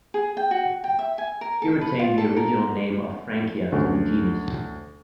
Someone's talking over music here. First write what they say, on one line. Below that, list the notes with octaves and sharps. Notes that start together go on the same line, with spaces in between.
He retained the original name of "Frankia" for the genus.
G#4
G5
F#4
G5
E5
G#5
A#4
A4
B4
F4
A4
A#4
D2 C#4